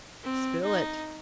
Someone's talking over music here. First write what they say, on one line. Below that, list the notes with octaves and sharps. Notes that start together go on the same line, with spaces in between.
"Spill it."
C4
D#4